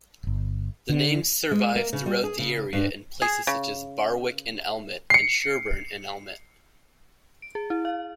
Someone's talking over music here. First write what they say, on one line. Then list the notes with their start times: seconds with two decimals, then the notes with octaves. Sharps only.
The name survives throughout the area in place names such as Barwick-in-Elmet and Sherburn-in-Elmet.
0.23 D1 G1
0.89 D3
1.51 G#3
1.76 A#3
1.93 C#3
2.06 G3
2.24 G#4
2.39 C#3
2.73 G2
3.22 G#4
3.47 C#3
5.10 C7 C#7
7.42 D7
7.55 G#4
7.70 E4
7.85 F5